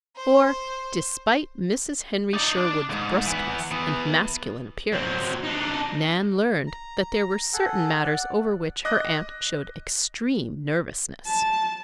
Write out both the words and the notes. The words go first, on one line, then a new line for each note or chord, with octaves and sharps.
For, despite Mrs. Henry Sherwood's bruskness and masculine appearance, Nan learned that there were certain matters over which her aunt showed extreme nervousness.
C5
D#4 D5
D4
D2 G#2
E3 B3
E3 B3
F#3 C4
D4 D#4
A#5
G#4 A4 F#5
D5 F#5
D#5 D6 F#6 A#6
A5